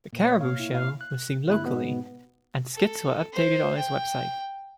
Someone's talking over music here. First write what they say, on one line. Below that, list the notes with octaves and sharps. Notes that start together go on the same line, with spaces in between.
The Caribou Show was seen locally, and skits were updated on its website.
A#2
C#5
F5
E4
F5
F#6
G1 E4 F#6
G#2 B2 B3
A4
C5
G5